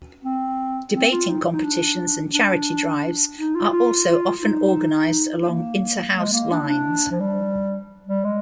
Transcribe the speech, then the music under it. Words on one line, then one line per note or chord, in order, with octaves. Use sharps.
Debating competitions and charity drives are also often organised along inter-house lines.
C4
C4
F4
D#4
D#4
D4
D4
D#4
F4
F4
D#4
A#3
G#3
A#3
D4
D4
F3
G3
G3
G#3